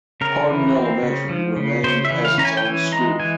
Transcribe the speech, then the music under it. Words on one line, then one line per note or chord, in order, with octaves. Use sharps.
Hardin Elementary remained as its own school.
C#3 A#4
E3
C4
C#3
F3
C#3
C#3 C5
E5
E3
F5
C#4 A#5
G#5
G5
E3 G#5
G#3 A#5
E3 G#5